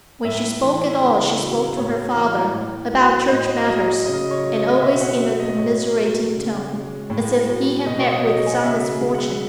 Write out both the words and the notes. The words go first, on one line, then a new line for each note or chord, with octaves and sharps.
When she spoke at all she spoke to her father, about church matters, and always in a commiserating tone, as if he had met with some misfortune.
A2 E5
E3
C#3
F#3
A2 C#5
E3
A2
F#3
A2 D#5
F#3 D#5
C#3 D#5
C#5
F#3
D#5
B2 E5
F#5
F#3 E5
D#5
A2 C#5
F#3
C#3
G#3
A2
F#3
B2 D#5
C#5
D#5
F#3 D#5
G#5
F#5
C#3 E5
G#3
F#5